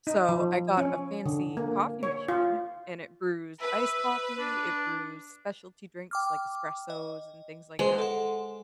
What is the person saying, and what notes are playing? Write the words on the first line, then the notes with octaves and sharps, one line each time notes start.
So I got a fancy coffee machine, and it brews iced coffee, it brews specialty drinks like espressos and things like that.
D#4
F3
C#4
D3
A#3
C#5
F4
B4 E5
D4
G5 D6 F6
D#5
G#3 B4 C5 C6
A4 F#5